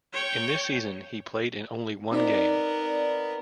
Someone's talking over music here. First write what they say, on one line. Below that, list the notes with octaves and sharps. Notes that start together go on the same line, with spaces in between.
In this season he played in only one game.
C#5 G5
B3 C4 D#4 A#4 D5